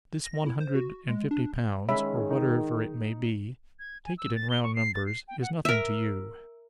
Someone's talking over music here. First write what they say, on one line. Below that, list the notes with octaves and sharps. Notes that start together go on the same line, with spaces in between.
This one hundred and fifty pounds, or whatever it may be--take it in round numbers--is nothing to you.
A#6
E4
C5
F#4
G#3
D4
D#3 G#3 C#4 G#4 E5 B5
D#4
G#6
G#5
E6
A6
G7
C#6
C7
A6
C7
G5
F#5
A#4 E5